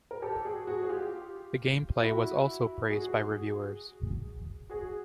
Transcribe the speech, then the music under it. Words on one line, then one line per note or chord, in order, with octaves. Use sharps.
The gameplay was also praised by reviewers.
A#4
G4 A4
F#4 G#4
F#4 G#4
G#4
F4 G4
E4 F#4
F#4 G#4
F#4 G#4